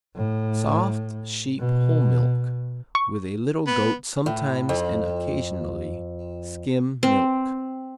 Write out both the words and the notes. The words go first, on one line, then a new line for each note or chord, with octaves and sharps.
Soft, sheep whole milk with a little goat sometimes and occasionally skim milk.
A2
B2
C#6
B3
A2
F2
C4